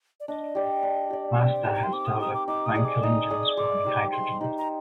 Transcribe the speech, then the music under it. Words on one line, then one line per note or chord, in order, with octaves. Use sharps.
Mazda has developed Wankel engines burning hydrogen.
D5
D4 D#5
G4 D5
D4
G4 D5
C4
G5
D#4 G4 A#4 G#5
A#5
C6
C4 D6
D#6
D#4 G4 A#4 D#6
D6
D#4 D6
D#6
G#4 D5
D6
D#4 D#6
G#4 D5
G#3 D6
D#4 G4 C5
G#3 C6
D#4 G4 C5
A#5